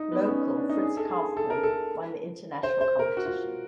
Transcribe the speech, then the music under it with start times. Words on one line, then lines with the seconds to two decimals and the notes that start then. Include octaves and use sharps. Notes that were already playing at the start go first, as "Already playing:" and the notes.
Local Fritz Kaufmann won the international competition.
Already playing: D#4
0.11 B3
0.29 C#4
0.57 D4
0.69 D#4
0.82 G#4
0.97 A4
1.10 G#4
1.37 A4
1.50 A#4
1.63 A4
2.63 C5
2.81 C5
2.99 A#4
3.17 F#4
3.25 F4